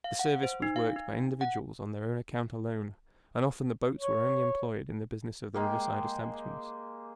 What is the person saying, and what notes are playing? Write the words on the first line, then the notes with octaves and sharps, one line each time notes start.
The service was worked by individuals on their own account alone, and often the boats were only employed in the business of the riverside establishments.
F5
F#5
C5
D#4
F5
D#4
F#5
C#5
G#3 A#3 G4